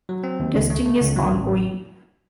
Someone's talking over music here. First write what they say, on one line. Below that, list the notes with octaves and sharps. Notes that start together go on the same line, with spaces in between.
Testing is ongoing.
F#3
C4
D#2
C#2
A3
A3
C#2
F#3
A1